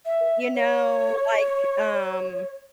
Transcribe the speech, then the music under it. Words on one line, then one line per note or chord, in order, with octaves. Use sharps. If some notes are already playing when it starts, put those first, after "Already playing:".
you know, like, um,
E5
C#5